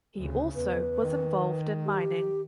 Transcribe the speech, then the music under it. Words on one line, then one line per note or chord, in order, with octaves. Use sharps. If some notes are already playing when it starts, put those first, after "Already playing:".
He also was involved in mining.
D2 C#3
E2 B4
D#3
G4